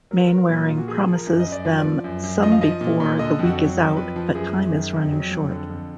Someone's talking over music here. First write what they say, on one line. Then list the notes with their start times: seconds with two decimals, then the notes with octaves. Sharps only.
Mainwaring promises them some before the week is out, but time is running short.
0.11 F#3 A#4
0.19 B4
0.27 F#3 A#4
0.49 A#2
0.67 A#2 F4
0.78 F#4
0.88 F3 G#4
1.08 F3
1.14 A#4
1.27 F#2
1.40 D#5
1.46 F#2
1.52 D5
1.65 F3 B4
1.78 D5
1.84 F3
2.04 F#2
2.23 F#2
2.42 F3 D#5
2.52 F5
2.61 F3 D#5
2.81 A#2
3.00 A#2
3.19 D3 D#5
3.39 F2
3.45 F#4
3.58 F#3
3.77 F2
3.96 F3 B4
4.16 F3
4.35 F#2 G#4
4.55 F#2
4.73 D#3
4.93 F2
5.12 F#3
5.31 F2
5.51 D3
5.70 F2